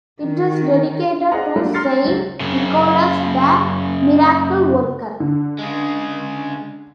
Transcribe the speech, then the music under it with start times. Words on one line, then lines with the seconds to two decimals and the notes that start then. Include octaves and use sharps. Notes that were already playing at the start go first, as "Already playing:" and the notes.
It is dedicated to Saint Nicholas the Miracle-Worker.
0.23 D#3
1.32 G#4 C5 D5 D#5 F#5 A#5
1.56 F#3 G3 A3 A#3 D4 F4
1.74 A#5 C6 F6 A6 C7 C#7
2.05 C#2 F#3
2.40 F#2 C#3
5.20 D3
5.59 C#3 G#3